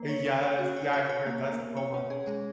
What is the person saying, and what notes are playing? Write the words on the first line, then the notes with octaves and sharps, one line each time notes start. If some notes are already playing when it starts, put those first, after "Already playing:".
Eh, yes, yeah, I've heard that so much.
Already playing: A#3
C#5
C#4
C#5
F#4
C#5
C#5
C#5
A#3
A#3
A#3
C#5
C#4
G#4
G#3